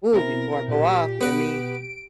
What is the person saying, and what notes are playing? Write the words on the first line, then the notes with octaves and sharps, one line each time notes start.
"Ooh, before I go off, let me
B2 C4 E4 A#4
A#2 G4
B2 B3 B4 D7